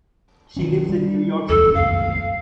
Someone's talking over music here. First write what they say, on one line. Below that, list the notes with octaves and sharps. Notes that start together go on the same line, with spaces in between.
She lives in New York City.
D#3 F#3 C#4
G3
D1 E2 A4
C2 F#2 F5